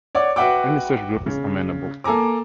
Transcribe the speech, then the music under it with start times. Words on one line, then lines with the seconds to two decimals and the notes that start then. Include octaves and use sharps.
Any such group is amenable.
0.15 C#5 D5 F#5 D6
0.36 F#4 B4 E5 F#5 G5 D6
1.26 C#3
2.04 A#3 A4 G#5 A#5 D6